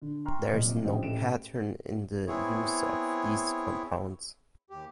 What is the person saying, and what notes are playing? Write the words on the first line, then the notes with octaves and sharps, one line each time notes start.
There is no pattern in the use of these compounds.
D3
G5 A#5 C6 C#6 F6
C2 A#2 F#3 D#5
A1 D3 F3 G4 D#5
A1 A2 G4 A4 D7 E7
B3 C4 E4 G#4 C#5
D#2 G4